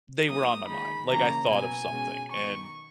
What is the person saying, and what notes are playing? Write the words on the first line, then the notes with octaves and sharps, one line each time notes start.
they were on my mind. Like, I thought of something and,
F#3 A#3 D#4 D#6
D#3 G#3 D#4 B5
C#3 E3 A#3 C#4 A#5
B2 F#3 B3 G#5
B2 G#3 C#4
D#3 F#3 B3 D#4 C#6